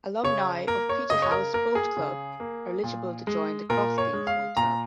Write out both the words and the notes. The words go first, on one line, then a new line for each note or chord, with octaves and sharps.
Alumni of Peterhouse Boat Club are eligible to join the Cross Keys Boat Club.
C#3 C#5
A#3 A#4
C#5
C#3 D#5
C#5
A#4
A#3 A#4
G#4
C#3
A#3
A#2
G#3
A#2 A#4
C#5
G#3
F5
A#2 A#5